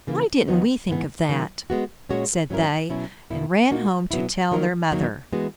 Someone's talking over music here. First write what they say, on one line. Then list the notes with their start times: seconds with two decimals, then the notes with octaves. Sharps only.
"Why didn't we think of that?" said they, and ran home to tell their mother.
0.07 C#3 E3 A#3
0.48 D#2 D#3 F#3 B3 D#4
0.89 G#2 E3 B3
1.29 D#3 F#3 A#3
1.70 G#3 B3 F#4
2.09 A#2 G#3 C#4 F#4 C#5
2.50 G#2 F#3 C#4 E4 A#4
2.90 B2 F#3 C#4 E4
3.30 E2 B2 A#3 E4
3.71 A#2 A#3 D#4 F#4
4.11 B2 F#3 B3 E4
4.51 D#3 F#3 A#3 D#4 A#4
4.92 E2 D#3 F#3 A#3
5.33 E3 G#3 B3 F#4